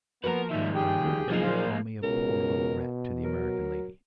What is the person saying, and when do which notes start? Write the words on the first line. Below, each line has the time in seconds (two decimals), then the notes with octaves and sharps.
And I heard Edward call me a poor little rat to the American lady.
0.24 F3 A#3 B3 F#4 A#4 B4
0.50 D#3 G3 E5
0.75 G4 G#4 G5
1.30 F3 F#3 A#3 D#4 G#4
1.43 A#2 C5 F5
2.03 C#2 B2 A#4
3.24 F#3 A#4